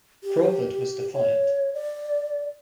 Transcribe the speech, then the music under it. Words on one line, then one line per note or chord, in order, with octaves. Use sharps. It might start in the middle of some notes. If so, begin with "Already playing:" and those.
Crawford was defiant.
G4
C#5
D5